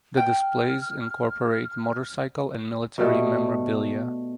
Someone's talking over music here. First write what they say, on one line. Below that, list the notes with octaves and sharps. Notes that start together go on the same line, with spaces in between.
The displays incorporate motorcycle and military memorabilia.
G5 F6
B2 G3 A3